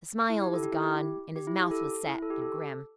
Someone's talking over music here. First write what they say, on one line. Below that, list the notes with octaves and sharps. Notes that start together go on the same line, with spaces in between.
The smile was gone, and his mouth was set and grim.
E4
G4
A4
G4
E4
G4
G4
E4
G4
A4
E4
A4
G4
A4